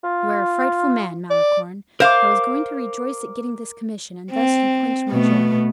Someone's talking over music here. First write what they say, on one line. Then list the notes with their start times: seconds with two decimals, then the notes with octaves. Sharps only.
"You are a frightful man, Malicorne; I was going to rejoice at getting this commission, and thus you quench my joy."
0.04 F4
1.30 D5
2.00 A#4 C5 F5 D6
4.32 C4
5.09 B2 A3 B3